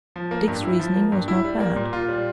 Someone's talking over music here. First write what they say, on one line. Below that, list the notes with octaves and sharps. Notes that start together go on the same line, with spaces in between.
Dick's reasoning was not bad.
F3
A#3
G2
E4
F3
A#3
G2
E4
G3
A#3
A#2
F4
G3